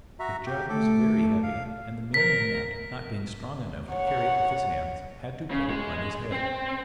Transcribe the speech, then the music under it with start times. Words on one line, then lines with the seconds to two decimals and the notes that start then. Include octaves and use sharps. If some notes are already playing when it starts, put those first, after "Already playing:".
The jug was very heavy, and the Marionette, not being strong enough to carry it with his hands, had to put it on his head.
0.20 F#4 E5 A#5
0.46 G4
0.69 A3 A4 D6
1.43 F5
2.14 A#4 B6
3.91 C#5 F#5
5.51 C#3
5.70 G#3
6.32 C4